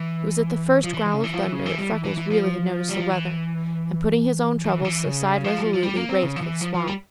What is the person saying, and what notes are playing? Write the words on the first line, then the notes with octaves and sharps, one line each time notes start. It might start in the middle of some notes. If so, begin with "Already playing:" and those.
It was at the first growl of thunder that Freckles really had noticed the weather, and putting his own troubles aside resolutely, raced for the swamp.
Already playing: E3
F3
E3
E3
C#3
E3
F3
E3
C#3
E3
G3
E3
E3
E3
F3
G3
F3
E3
E3
C#3
E3
C#3
F3
G3
F3
F3
G3
A#3
C4
C#3
F3
E3
F3
F3
G3